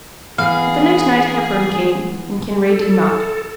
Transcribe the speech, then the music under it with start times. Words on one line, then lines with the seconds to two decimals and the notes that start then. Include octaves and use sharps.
With the next night Hepburn came; and Kinraid did not.
0.38 E3 B3 G#4 F5
2.69 A4